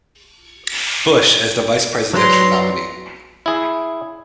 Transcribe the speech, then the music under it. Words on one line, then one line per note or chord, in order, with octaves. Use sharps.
Bush, as the vice-presidential nominee.
F#3 B4 D5 A#5 C6
E4 G#4